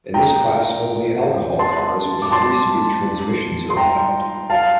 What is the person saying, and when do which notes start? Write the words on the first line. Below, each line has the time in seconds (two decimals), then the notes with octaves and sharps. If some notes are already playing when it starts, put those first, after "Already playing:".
In this class only alcohol cars with three-speed transmissions are allowed.
0.14 G5 A#5
1.59 A5 C6
2.22 D6
2.31 A5 C6
3.70 C6
3.77 G5 A#5
4.50 F5 A5